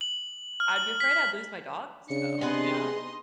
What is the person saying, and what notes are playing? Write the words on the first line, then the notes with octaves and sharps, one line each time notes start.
I'd be afraid I'd lose my dog, so, you know.
F#7
F6
F#7
B6
C#3 D4 C#7
C3 B3 D#4 G#4 B4 D#5 C6